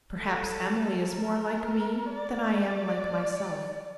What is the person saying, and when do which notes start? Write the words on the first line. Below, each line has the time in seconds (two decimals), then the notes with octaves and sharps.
Perhaps Emily is more like me than I am like myself.
0.19 A4
1.12 A#4
2.06 D5
2.51 D5